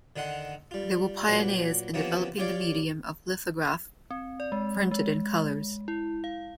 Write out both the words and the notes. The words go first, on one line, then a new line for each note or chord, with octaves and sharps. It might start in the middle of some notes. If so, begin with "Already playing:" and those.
They were pioneers in developing the medium of the lithograph printed in colours.
D3 D#3 D#4 F#5 C6
G3 F4
A#2 F#3 B4
C3 E3 F3 A#3 B3 C#4
F4 G4 C#5 D5 F5
C4
D5
G#3
G#3
E4
F5